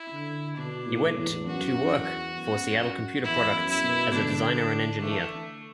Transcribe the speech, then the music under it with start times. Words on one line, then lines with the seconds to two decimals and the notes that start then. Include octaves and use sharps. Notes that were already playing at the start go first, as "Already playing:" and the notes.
He went to work for Seattle Computer Products as a designer and engineer.
Already playing: E4
0.13 D3
0.57 B2 D4
0.87 A2
1.16 E2
1.46 F#2 F#4
1.90 E2
2.35 F#2
3.24 E2 E4
3.54 F#2
3.69 E4
3.83 B2
4.14 D3 D4
5.01 E3 A3